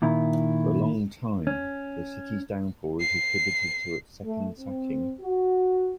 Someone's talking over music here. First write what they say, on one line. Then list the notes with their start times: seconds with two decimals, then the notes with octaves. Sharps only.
For a long time, the city's downfall was attributed to its second sacking.
0.02 A#2 D#3 E4
1.47 C#4
3.00 C7
4.23 A3
4.59 C4
5.20 F#4